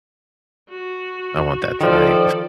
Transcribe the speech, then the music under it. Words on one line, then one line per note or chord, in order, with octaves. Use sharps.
I want that tonight
F#4
D#3 F3 A4 D5